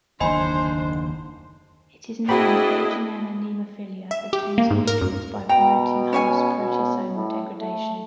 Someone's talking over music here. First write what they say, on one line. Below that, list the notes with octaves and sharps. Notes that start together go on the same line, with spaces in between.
It is known that "Legionella pneumophila" obtains nutrients by promoting host proteasomal degradation.
F#1 D#2 D3 D4 C5 D#5 G#5 B5
C4 D4 E4 F#4 G#4 D#5 G5 B5
E5
G4
A#3
G#2
A#4
F#2
B2 G5 A#5
C#4 C#5 G#5
B2
A2
A3